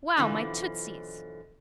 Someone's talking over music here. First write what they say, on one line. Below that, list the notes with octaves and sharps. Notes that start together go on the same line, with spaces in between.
Wow, my tootsies!
F#2 B2 D3 E3 F3